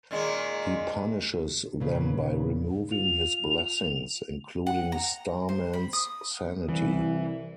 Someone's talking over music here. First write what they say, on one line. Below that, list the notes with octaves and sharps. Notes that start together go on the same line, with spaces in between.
He punishes them by removing his blessings, including Starman's sanity.
A#2 D#3 G#3
A#2 C#3 B4
F4 F7
F#5
A#5
C5
B5
D#6
C2 E3